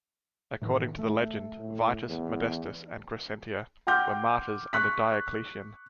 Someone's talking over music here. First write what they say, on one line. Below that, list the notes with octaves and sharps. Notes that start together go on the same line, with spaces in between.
According to the legend, Vitus, Modestus and Crescentia were martyrs under Diocletian.
A2 D#3 E3
A3
A2
E2
F#5 G5 C6 D6 F6 G6
C#6 F#6 B6